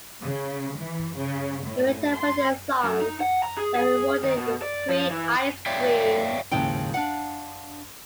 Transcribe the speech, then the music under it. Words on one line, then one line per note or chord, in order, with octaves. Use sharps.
In return for their songs, they are rewarded with free ice creams.
C#3
E3
C#3
A2
C6
F#2
D#4
F#5
A#5
G#4
G#4
D#3
B2
D5
F3
E3
C#5 D5 E5 F5 G5
D#2 G#2 C#3 F3 E4 G5
D4 F5 F#5